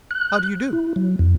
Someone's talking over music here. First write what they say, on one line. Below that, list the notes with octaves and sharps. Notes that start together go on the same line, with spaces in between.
"How do you do?"
F#6
E4
F#3
F2